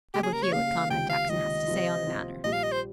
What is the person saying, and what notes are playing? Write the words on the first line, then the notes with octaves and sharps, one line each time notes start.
I will hear what Comrade Jackson has to say on the matter.
C#3 G3 A#3 G4
G#4
A#4
C#5
C#3 G3 A#3 F5
C#2 C3 D#3 G5
F5
C#2 C3 D#3 D#5
C3 F3 C4 F4
C3 F3 C4 F4
A#1 A#2 G3 D#5
F5
D#5
C5